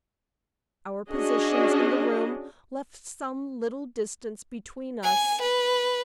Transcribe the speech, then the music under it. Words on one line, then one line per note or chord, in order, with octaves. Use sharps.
Our positions in the room left some little distance between us.
C#4 D4 F#4 G#4 D#5
G#5
B4